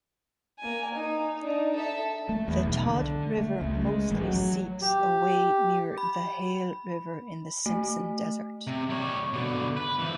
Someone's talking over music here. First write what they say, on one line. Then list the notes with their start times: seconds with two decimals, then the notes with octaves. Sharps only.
The Todd River mostly seeps away near the Hale River in the Simpson Desert.
0.59 A#3 G#5
0.94 D#4
1.43 D4 D#4
1.75 A4 E5
2.29 A3
2.48 E2
2.65 B1
2.86 D3
3.37 A3
3.61 C#2
3.86 G#3
4.10 A1
4.25 F#3
4.82 G4
5.98 B5
7.66 A3
8.67 C3
8.90 G3 C#5
9.33 B2 D3
9.77 B4
9.99 E3 F3